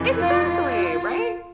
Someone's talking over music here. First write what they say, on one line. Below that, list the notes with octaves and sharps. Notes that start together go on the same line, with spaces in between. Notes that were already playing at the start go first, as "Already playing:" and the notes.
Exactly, right?
Already playing: F2 C3 E3
F4
F4